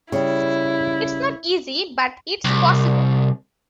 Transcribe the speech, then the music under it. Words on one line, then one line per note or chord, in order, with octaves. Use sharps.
It’s not easy, but it’s possible.
C#3 G3 E4
C2